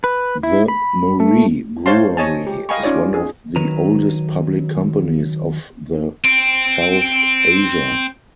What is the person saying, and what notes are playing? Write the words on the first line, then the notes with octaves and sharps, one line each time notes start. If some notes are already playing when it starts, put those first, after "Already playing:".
The Murree Brewery is one of the oldest public companies of the South Asia.
B4
E4
B5
A3
C5 C#5 F5 A5 C6
C#5 D#5 G#5 A5
G4
D#5 F5 G5 G#5 B5 C#6
C#4 D#4 F4 C#5 D5
G#4
D#3 F#3 B4 A#5
C4 D7